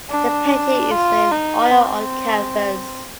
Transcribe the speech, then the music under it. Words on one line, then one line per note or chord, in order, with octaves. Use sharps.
The painting is in oil on canvas.
D4
F4
D#4
C4